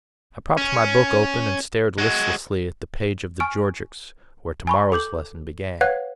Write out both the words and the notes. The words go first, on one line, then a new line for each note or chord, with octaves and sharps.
I propped my book open and stared listlessly at the page of the Georgics where to-morrow's lesson began.
C#4
G#3 F#4
G#5 C#6 F6 D7
G#5 B5 C#6
A4 D6 G6 F#7
B4 C#5 F5 F#5 F#6 G#6